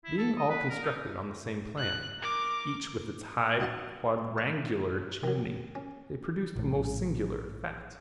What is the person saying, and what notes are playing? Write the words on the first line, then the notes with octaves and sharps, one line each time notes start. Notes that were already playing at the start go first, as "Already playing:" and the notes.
Being all constructed on the same plan, each with its high quadrangular chimney, they produced a most singular effect.
E4
A4
D#5
B4
A#4
D#4
F#6
A#4 D6
D#4 F#4 D#5 F#5 A5
C5 C#6
D#3 F#3
C#4
A#1 A2